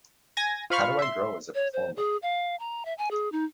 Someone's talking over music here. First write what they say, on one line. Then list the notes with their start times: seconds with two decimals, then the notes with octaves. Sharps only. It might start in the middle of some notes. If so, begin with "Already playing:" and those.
How do I grow as a performer?
0.37 G#5 G#6 A#6
0.70 F4 C5 F5 B5 C#6 F6
0.99 E5 C6
1.55 C#5
1.73 C5
1.96 G#4
2.22 F5
2.60 A#5
2.85 E5
2.98 G#5
3.11 G#4
3.32 D#4